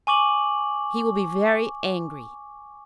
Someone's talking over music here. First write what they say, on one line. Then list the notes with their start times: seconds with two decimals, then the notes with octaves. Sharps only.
"He will be very angry."
0.07 G#5 C#6 D6 F#7